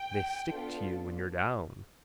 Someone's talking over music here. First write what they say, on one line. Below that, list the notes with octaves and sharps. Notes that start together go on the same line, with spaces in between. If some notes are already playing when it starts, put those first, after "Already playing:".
They stick to you when you're down.
Already playing: G5
B3 D4 F4 A4